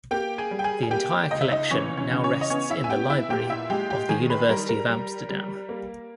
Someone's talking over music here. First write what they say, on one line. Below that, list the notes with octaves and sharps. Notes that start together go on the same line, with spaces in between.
The entire collection now rests in the library of the University of Amsterdam.
A#3 G4 G5
G#4 G#5
G3
G5
G#4 G#5
G#5
A#3 G4 G5
C#2 D#5
E5
D#4 D#5
E3 C#4 C#5
C#4 C#5
C#3
C#4 C#5
D#5
B3 C#4 C#5
E4 E5
G#5
B3 G4 G5
E4 E5
A#2 G4 G5
E4 E5
G#3 G4 G5
G4 G5
D#3 G#4 G#5
B4 B5
G3 A#4 A#5
A#4 A#5
G3
G3
A#3